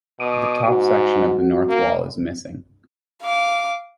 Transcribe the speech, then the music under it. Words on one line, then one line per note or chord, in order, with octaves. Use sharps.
The top section of the north wall is missing.
B2 D6 D#6
G#2 F#4
A#3
F5 D6